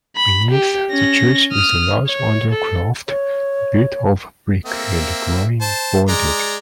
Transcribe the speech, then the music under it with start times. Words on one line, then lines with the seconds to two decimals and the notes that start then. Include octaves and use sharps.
Beneath the church is a large undercroft, built of brick and groin vaulted.
0.17 B5
0.51 G4
0.91 C#4 A#6
1.53 D#6 F6
2.07 C#5
2.51 A4
3.08 C#5
4.65 A#3 C4 E5
5.61 C5 A5
6.08 G#3 D5 A#5